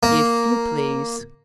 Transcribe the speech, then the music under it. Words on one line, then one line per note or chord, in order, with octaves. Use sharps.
"If you please."
A#3